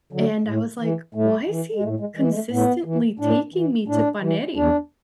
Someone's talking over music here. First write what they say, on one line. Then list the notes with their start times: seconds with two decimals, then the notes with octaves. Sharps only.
and I was like, "Why is he consistently taking me to Paneri?"
0.13 D3 F#3
0.46 A2
0.81 E3
1.15 A2 A3
1.49 E3
1.74 G#3
1.83 A2 A3
2.00 G#3
2.17 E3 G#3
2.30 G#3
2.34 A3
2.51 A2 B3
2.85 E3
3.19 A2 D4
3.54 E3
3.88 A2 D4
4.22 E3
4.56 E2 D4